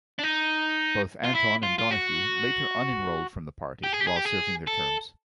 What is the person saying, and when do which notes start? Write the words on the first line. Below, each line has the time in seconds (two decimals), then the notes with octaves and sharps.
Both Anton and Donoghue later unenrolled from the party while serving their terms.
0.19 D4
0.24 D#4
1.25 F4
1.35 E4
1.63 F4
1.78 F4
1.91 F#4
3.84 G4
3.93 G#4
4.00 G4
4.07 G#4
4.16 G4
4.25 G#4
4.67 A4